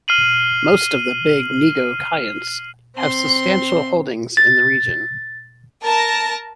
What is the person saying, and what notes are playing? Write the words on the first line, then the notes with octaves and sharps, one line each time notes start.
Most of the big negociants have substantial holdings in the region.
F6 C7 D#7 F#7
C4 C6
A6
A#4 A5 A#6